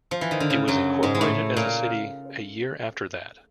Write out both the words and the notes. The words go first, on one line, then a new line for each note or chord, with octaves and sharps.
It was incorporated as a city a year after that.
F3
E3
D#3
D3
C#3
F#2 F#3
G#2 G#3
G#3
A2 A3
A#2 A#3